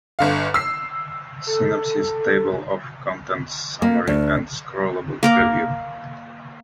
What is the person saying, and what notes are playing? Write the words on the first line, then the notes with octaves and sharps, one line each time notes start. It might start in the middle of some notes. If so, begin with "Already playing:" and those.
Synopsis, Table of Contents Summary and scrollable preview.
G1 D3 F5
E6 C7
A4
A#3
D2
A#3 A#4 D6